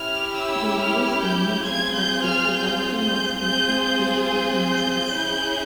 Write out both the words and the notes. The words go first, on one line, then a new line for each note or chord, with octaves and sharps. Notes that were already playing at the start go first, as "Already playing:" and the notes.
Reviews were mixed, but the production was a hit with audiences.
Already playing: C#4 E4 G4 F6
E6
F6
G6
C4 F4 G#4 G#6
G6
F6
G6
G6
C4 F4 G#4 G6
G6
G6
C#4 E4 G#4